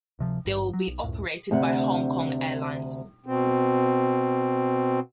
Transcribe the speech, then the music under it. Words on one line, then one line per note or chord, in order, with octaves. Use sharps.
They will be operated by Hong Kong Airlines.
D1 C3 F3
G#1 G2
F#3
B1
C#2 F#2 A2
D2 C3 F#5
B2 C4